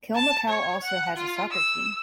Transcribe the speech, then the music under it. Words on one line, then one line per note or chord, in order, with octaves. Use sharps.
Kilmacow also has a soccer team.
A5
C#5
F#5
F4
E6